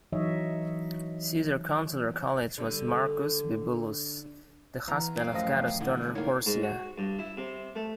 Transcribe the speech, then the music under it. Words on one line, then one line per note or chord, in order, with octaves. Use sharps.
Caesar's consular colleague was Marcus Bibulus, the husband of Cato's daughter Porcia.
E3 F#3 D#4 C#5 D#5 E5
D3 G3
E2 A#5
F#2 F5 G5
A1 F3 D#5
G2 D3 E3
D#3 A#3 C#5
G#2
F#4
G2
E4
C3
A3